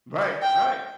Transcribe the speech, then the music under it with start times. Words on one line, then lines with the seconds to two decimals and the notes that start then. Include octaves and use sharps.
Right. Right.
0.43 G5